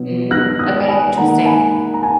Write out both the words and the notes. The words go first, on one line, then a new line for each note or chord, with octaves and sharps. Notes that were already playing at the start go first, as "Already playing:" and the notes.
Mm. Okay, interesting.
Already playing: B2 F#3 B3
F#6 A#6
D#6 F#6
G#5 B5
D#3 A#3 F#5 A#5
G#5 B5
A#5
G#5